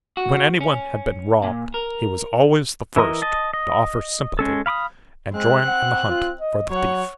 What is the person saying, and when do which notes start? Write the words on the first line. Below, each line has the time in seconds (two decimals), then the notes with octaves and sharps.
When any one had been robbed, he was always the first to offer sympathy and join in the hunt for the thief.
0.17 F#4
0.61 C#4
1.43 A#2
1.74 A#4
2.96 E3 E4 A#4 D#5
3.22 D#5 A5
3.54 D#5
4.39 G#3 C#4 A4
4.66 F5 B5 D6 D#6
5.34 G#3 C4 F#6
5.67 F#5
6.09 F4
6.41 D#5
6.70 F#3 C#5 F#5